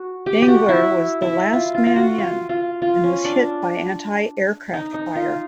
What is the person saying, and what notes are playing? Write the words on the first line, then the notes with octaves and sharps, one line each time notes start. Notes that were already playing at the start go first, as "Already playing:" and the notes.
Dengler was the last man in and was hit by anti-aircraft fire.
Already playing: F#4
G4
G4
F#4
E4
E4
F4
F4
F4
F#4
F4
F4
F4
C#4
D4
D#4
D#4
F4